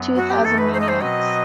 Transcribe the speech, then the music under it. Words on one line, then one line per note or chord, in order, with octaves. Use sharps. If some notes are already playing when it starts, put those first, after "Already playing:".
Two Thousand Maniacs!
Already playing: F#2 F#3 B3
F#4
G4
F#2 E3 A3 D#4 A4
B4
C5
D#5
C5
B2 F#3 C4 F#4 B4 D#5